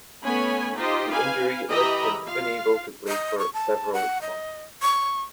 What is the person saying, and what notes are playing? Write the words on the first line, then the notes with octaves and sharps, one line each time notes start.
The injury left him unable to play for several months.
A3 B3 C#4 C#5 G#5 B5
D#4 F4 G4 C5 D#5
B4 F5 G#5
E3 G4 D#5 E5 A#5 B5
F4 F5
D#5
C#6
A5
F#5
D#5
C#6